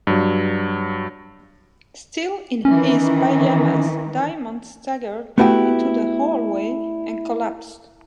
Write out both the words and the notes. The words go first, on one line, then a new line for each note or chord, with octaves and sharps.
Still in his pajamas, Diamond staggered into the hallway and collapsed.
G2 F#3
D#3 E3 C#4
A3 B3 E4 F#4 G4